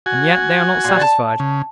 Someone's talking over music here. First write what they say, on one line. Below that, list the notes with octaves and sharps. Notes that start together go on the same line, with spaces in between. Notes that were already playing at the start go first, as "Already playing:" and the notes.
And yet they are not satisfied.
F#4 G#5
A#2 G3
A5
C#3